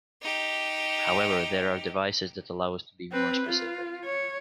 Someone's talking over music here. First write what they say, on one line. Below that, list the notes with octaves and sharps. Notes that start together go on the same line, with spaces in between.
However, there are devices that allow us to be more specific.
D#4 G4
C4 B4
F4
C#5